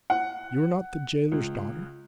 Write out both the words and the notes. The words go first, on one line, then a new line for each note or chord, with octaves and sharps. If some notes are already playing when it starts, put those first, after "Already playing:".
"You are not the gaoler's daughter?"
F#5
C#2